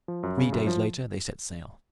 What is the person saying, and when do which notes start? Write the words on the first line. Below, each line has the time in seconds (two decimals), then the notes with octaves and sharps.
Three days later they set sail.
0.08 F3
0.23 F#2
0.38 C#3
0.53 F#2
0.67 F3